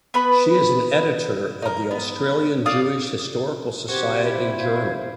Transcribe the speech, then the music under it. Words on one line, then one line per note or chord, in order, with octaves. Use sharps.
She is an editor of the "Australian Jewish Historical Society Journal".
B3 B4 B5
D#4 A#4
B3
D5 F5 D#6
C3 F#4 G4 C5 G#6
E4
F5 G6 G#6